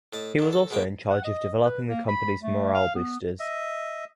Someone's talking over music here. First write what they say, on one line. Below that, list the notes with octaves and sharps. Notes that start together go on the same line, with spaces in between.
He was also in charge of developing the company’s morale boosters.
A2 D#5 A5
D3 D#3
A4
B2 G#3 A#3 G5
F#5
D#5
B4
A#3
B5
A3
F5
B3
D#5 E5